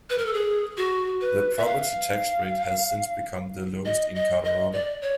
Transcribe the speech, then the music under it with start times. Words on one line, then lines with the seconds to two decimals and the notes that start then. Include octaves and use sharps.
The property tax rate has since become the lowest in Colorado.
0.10 B4
0.18 A#4
0.26 A4
0.33 G#4
0.77 F#4
1.21 B4
1.57 E5
1.65 F5
3.85 D#5
4.15 D#5
4.45 D#5
4.73 D5
5.02 C#5